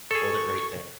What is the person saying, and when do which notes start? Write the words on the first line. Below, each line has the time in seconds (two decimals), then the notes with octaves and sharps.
Hold it right there!
0.11 G#4 A4 C#6